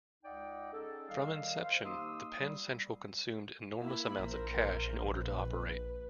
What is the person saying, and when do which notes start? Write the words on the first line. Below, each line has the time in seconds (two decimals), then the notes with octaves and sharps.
From inception, the Penn Central consumed enormous amounts of cash in order to operate.
0.24 C#2 D#4 D5 D#5 F#5 G5
0.72 C#4 D#4 G#4 A4
1.09 D#3 G3 D#5 F5
1.62 C5 F5
1.84 A#3 D#4 G4 C6 D#6 E6
2.38 G3
3.82 A#3 E4 B5
4.19 A#1 A#4 C5
5.18 B4